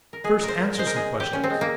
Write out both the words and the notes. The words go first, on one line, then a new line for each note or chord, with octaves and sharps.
First answer some questions.
A#4
G#3 G#4
A#2 A#4
C5
A#2
A#4
G#3 C5
A#4
G#3 G#4
A#2
G4
A#2 C#4
C4
G#3
A#3